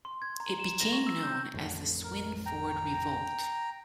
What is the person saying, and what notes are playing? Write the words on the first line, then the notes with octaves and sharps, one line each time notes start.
It became known as the "Swinford Revolt".
C6
G#6
A#5
E7
A#6
C#6
E6
G6
A1 F2 A3
A#4
G5 A#5